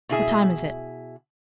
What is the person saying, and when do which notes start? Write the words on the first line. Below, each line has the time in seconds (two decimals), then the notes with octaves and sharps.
"What time is it?"
0.09 B2 E4 G#4 E5